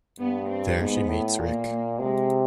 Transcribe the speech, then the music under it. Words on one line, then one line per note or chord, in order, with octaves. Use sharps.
There she meets Rick.
G2 B3
C4
G#2 B3
A2
A#2 A#3
A#3
C3 G#3